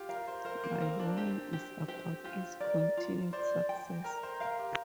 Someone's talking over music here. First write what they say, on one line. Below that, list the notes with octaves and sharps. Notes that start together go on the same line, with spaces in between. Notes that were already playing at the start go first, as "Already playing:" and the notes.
My warning is about its continued success.
Already playing: F4 G4
A#4 F5
C5
A#4 C5
A#3
C4 A#4
D4
C4 G4
G4
C4 G4
F4 G4
A#4 D5
F4
C5 D5
G5
A#4 A#5
C5
A#4 F5
G4